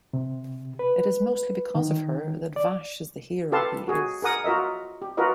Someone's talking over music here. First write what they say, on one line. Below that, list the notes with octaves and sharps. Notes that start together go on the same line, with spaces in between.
It is mostly because of her that Vash is the hero he is.
C3
B4
D#3
D5
G4 A4 B4 F5 A5 C6
F#4 G#4
G#4 A#4 F#5 D#6
F4 F#4 A#4 D#5 E5
G4
F4 F#4 A#4 B4 D#5